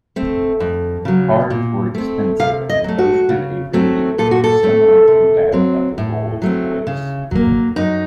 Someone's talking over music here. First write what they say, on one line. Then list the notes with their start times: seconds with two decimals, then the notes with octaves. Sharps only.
The cars were expensive and boasted a radiator similar to that of the Rolls-Royce.
0.16 A3 C4
0.60 F2
1.05 C#3 F#3
1.50 A#2
1.95 A3 C4
2.39 C3 F5
2.69 D#5
2.84 F#3 A3
2.99 F#4
3.29 C#3
3.73 F#3 A3 C4
4.18 A#2 A4
4.31 F#4
4.44 A4
4.63 A3 C4
5.08 C3
5.52 F#3 C4
5.98 A2
6.42 F#3 A3 C4
6.87 C#3
7.31 F#3 A#3
7.76 F#2 D#4